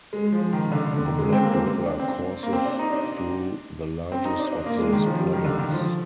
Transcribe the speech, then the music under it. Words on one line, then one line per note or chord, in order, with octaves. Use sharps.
The Black River courses through the largest of these plains.
G#3
F3
D#3
D3
D3
D#3
G#3
C4
A#3
C4
D4
C4
A#3
C4
D4
D#4
D4
C4
D#4
D4
D4
A#3
G#3
D#3
F3
G3
D#3
D3
D#3
F3